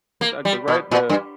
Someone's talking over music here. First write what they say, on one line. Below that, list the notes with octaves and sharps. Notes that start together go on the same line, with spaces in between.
It's at the right the
A#3
G3
B2
A#2
G2